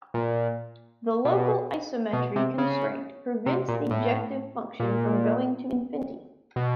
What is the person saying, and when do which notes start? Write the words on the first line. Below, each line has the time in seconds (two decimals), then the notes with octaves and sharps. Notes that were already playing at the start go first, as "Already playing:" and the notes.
The local isometry constraint prevents the objective function from going to infinity.
0.14 A#2
1.25 B2
2.13 B2
2.36 C3
2.58 C#3
3.46 C3
3.68 A#2
3.91 A2
4.80 A#2
6.56 B2